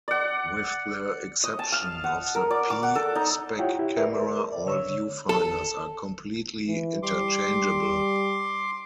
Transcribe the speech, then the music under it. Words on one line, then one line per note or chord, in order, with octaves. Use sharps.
With the exception of the "P" spec camera, all viewfinders are completely interchangeable.
D5 F#5
D#5
A5
F5
F#5
A#4
D5
D6
F#5
A4
D#4
E4 F4 G4 C#5 F#5 G5
E4 G4
G#4 A#4 B4 D5 E5
D5
D3 C#5 E6
A4
E3
G3 C6 D6